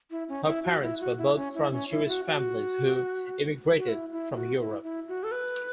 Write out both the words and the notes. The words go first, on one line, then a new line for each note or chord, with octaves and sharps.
Her parents were both from Jewish families who emigrated from Europe.
E4
C#4
E4
F#4
E4
F#4
E4
C#4
E4
C#4
E4
F#4
F#4
F#4
E4
E4
F#4
E4
E4
F#4
A4
B4